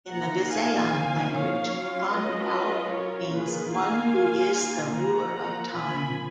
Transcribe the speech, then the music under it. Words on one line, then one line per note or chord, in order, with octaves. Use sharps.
In the Visayan language, Kan-Laon means One Who Is the Ruler Of Time.
F3 A#3 D#4 F#5 A#5
F5 G#5
C#5 F5
F#3 C#4 F4
B4 D#5
A#4 C#5
D#3 A#3 F4 G#4 B4
F5 G#5
F3 A#3 F4 F#5 A#5
G#5 B5